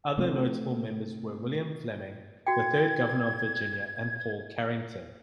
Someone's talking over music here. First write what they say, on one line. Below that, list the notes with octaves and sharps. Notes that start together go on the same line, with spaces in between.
Other notable members were William Fleming, the third governor of Virginia and Paul Carrington.
C3 A3 C4
F#4 G5 G#6